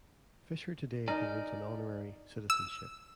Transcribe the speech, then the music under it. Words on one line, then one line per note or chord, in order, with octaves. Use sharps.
Fischer today holds an honorary citizenship.
D#4 A#4 D5 G#5
E6